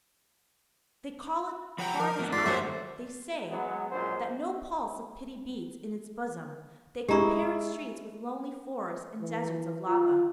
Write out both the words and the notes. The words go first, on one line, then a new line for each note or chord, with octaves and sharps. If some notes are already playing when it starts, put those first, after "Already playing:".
They call it hard as iron; they say that no pulse of pity beats in its bosom; they compare its streets with lonely forests and deserts of lava.
F3 C#5 F#5 G5 A#5 B5
F3 A#4
A2 B3 D4
G#2 F4 D5 C6 B6
G3 A3 A#3 F#4 C5 C#5 E5
F#3 G#3 B3
A#1 F#2 G#3 C5
G#3 E4 G4 A#5 C#6
E3
F4